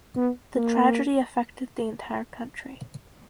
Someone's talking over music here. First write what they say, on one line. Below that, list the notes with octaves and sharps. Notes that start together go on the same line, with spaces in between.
The tragedy affected the entire country.
B3
A#3